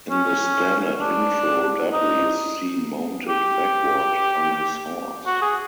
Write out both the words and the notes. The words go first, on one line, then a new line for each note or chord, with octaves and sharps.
In the standard intro, Dudley is seen mounted backward on his horse.
C#4
D4
D#4
G4
F#4
G#4